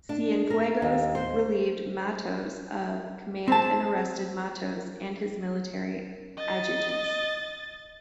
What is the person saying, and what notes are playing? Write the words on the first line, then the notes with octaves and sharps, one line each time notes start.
Cienfuegos relieved Matos of command and arrested Matos and his military adjutants.
D4
A#4
D#2
C5
C4 A5
D#5 A6